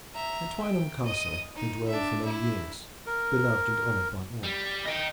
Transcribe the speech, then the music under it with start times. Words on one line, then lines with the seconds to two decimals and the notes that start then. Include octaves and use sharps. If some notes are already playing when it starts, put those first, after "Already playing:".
At Twynham Castle they dwelled for many years, beloved and honored by all.
0.14 E5 A#5
0.62 G5
1.06 D#5 D#6
1.55 D#4
1.88 D4 E5
2.25 E4
3.06 A#4
4.44 G3
4.86 D#5 G5